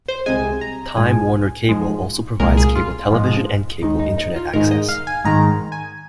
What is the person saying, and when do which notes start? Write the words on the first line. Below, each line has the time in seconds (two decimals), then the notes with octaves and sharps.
Time Warner Cable also provides cable television and cable Internet access.
0.08 C5
0.26 C2 C3 G#3 G#5
0.61 A#5
0.97 G#2 F3 G#3 G#5
1.69 G#2 F3 G#3
2.40 C2 A#2 G#3 A#4
2.57 G#4
2.75 F4
3.11 G#2 F3 G#3
3.82 D#2 D#3 G#3 D#4
4.00 D#4
4.18 D#4
4.36 F4
4.53 G#2 D#3 G#3 A#4
4.71 D#5
4.89 F5
5.07 G#5
5.25 G#2 D#3 G#3 A#5
5.72 G#5